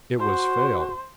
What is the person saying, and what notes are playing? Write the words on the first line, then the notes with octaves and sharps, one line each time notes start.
"It was Fayle."
F#4 C5